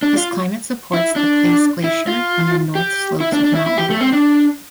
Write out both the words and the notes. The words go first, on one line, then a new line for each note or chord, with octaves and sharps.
This climate supports the Place Glacier on the north slopes of Mount Oleg.
D4
F4
E4
D4
E4
F4
G4
E4
D4
D4
E4
E4
G4
A3
C4
D4